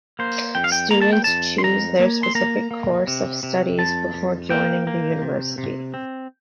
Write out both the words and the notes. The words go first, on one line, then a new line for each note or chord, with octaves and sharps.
Students choose their specific course of studies before joining the university.
A#3 C5
F2 G5
F5
G5
A#3 A#5
A5
G5
F2 A5
C6
F2 A#5
A#3
C6
A#3 A#5
A#3
C3
C3
F2 A5
F2
A#3 G5
A#3
C3
C3
C4